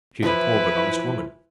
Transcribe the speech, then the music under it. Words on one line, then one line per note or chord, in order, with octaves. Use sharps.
She is a poor but honest woman.
E3 F3 E4 B4